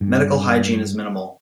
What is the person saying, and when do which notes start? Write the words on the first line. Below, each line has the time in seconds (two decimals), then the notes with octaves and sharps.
Medical hygiene is minimal.
0.01 G2